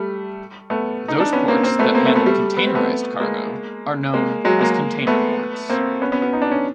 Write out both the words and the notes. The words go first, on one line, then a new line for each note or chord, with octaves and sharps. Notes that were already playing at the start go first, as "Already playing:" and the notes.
Those ports that handle containerized cargo are known as container ports.
Already playing: G3 A3
A3 B3
D#4
D4
B3 C#4
A#3 C4
A#3 C4
A3 B3
A#3 C4
A3 B3
A3 B3
G3 A3
B3
C4
A3 B3
G#3 A#3
G#3 A#3
F#3 G#3
G#3 A#3
A3 B3
A#3 C4
B3 C#4
B3 C#4
B3 C#4
D#4
D4
C#4